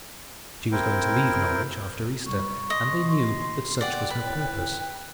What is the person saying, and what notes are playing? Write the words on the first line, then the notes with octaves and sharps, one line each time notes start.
She was going to leave Norwich after Easter, and they knew that such was her purpose.
C4 E4 A#4 G5
G3 C#6
D#5 C6
D5 F#5 G5
A2 B4